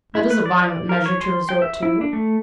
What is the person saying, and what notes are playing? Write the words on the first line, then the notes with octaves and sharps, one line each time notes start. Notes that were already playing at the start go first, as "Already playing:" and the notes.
"That is a violent measure to resort to."
E4
B4
D5
A#4
C#5
C6
G5
E5
E4
D4
A3